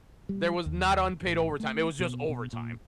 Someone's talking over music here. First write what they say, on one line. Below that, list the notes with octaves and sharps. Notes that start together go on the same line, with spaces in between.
There was not unpaid overtime, it was just overtime.
G3
D#2
A1
A3
B2
B2
A#2